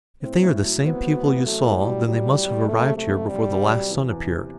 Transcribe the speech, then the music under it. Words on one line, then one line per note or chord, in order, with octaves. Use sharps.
If they are the same people you saw, then they must have arrived here before the last sun appeared.
A2 C4
A2
F#3
B3 C4
F#3
A1
F#3 A3
A2
G3
F#3
F#3 G3
F#3
F#3
F#1 A3
C3
A3
F#1
F#1 G3
C3
F#3
E2
E2
C3